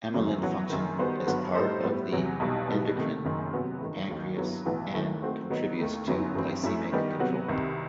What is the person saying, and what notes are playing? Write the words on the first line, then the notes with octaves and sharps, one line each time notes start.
Amylin functions as part of the endocrine pancreas and contributes to glycemic control.
G1 F#2 D#3 F#3 A3
A1 A2 F#3 B3 F#4
F#1 F#2 D#3
D#3 G3 B3 F#4 C5
G1 G2 F#3 B3 F#4
A2 G3 D#4 A4 C5
A2 G3 B3
E2 C3 F#3 B3
B1 B2 G3 D#4
B2 G3 B3 E4
C3 D#3 A3
F#1 F#2 D#3
C3 F#3 B3 F#4
A1 G2 D#3
D#2 D#3 F#3
G2 F#3 B3 E4
B1 A2 E3 B3 F#4
D#2 D#3 A3 E4 B4
D#3 A3 C4 F#4 C5
D#3 F#3 B3 D#4
D#2 D#3 A3
G1 F#2 F#3 B3 E4
A1 G2 F#3 C4
F#2 F#3 A3 E4
D#3 G3 B3 D#4 G4
C3 F#3 B3 F#4
C2 C3 D#3